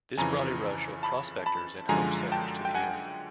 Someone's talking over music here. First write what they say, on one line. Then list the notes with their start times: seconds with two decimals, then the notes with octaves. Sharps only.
This brought a rush of prospectors and homesteaders to the area.
0.18 F2 C#3 E3 G#5 A#5
1.03 A5 B5
1.46 A5 B5
1.89 F#2 D3 F3 G#3 G#5 A#5
2.32 G5 A5
2.65 G5
2.75 F#5 G#5